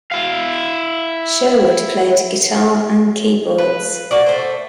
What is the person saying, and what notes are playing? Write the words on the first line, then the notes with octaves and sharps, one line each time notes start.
Sherwood played guitar and keyboards.
E4 F5
B4
A#3 F#4 D5
A3 C5